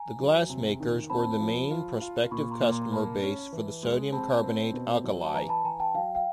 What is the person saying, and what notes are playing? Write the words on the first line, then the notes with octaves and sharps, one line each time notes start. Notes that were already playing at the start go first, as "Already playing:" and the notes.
The glassmakers were the main prospective customer base for the sodium carbonate alkali.
Already playing: G#5 A#5
F#3
C3
D#3
C4 A5 B5
F3
F4
F4
A#2 B5 C#6
A#5 C6
A#2
A#5 C6
A#5
A#3 A5 B5
C#4
E3
G#3
C4 A5 B5
C4
B2
F#3
A5
E3 G#5 A#5
A5 B5
E3 G#5 A#5
G5 A5
F#3 F5 G5
F5 G5